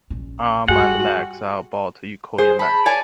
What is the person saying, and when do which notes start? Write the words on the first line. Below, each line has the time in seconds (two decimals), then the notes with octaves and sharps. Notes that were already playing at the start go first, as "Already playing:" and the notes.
Arm and legs are about equal in length.
0.10 A#1 C#4
0.68 G2 G3 G#3 F#4 F#5
2.38 G#4 C5
2.59 A5 B5
2.86 C#5 D5 G#5